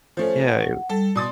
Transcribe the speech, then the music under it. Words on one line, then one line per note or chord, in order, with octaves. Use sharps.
Yeah, it w
F3 A3 C#4 C5
F#5
G3 A4
B2 D5 C6 D#6 A6